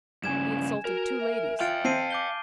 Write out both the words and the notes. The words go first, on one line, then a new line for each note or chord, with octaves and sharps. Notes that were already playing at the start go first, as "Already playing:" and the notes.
He insulted two ladies.
G2 C#3 G#5 G#6 E7
F#4 A#4
E5
F4 F5 G5 F6 A6 D7
C4 A5 C7 D#7
D6 G6 G7